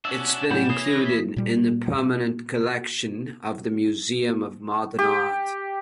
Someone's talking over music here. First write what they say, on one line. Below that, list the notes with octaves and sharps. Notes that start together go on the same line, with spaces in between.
It has been included in the permanent collection of the Museum of Modern Art.
C#4 D4 F#4 E5
E7
A2 F#3 G3 C#4 F#5 B5 G6
E3 C#5 B5 D#6 C7
A#6
B6
A#2 G3
G4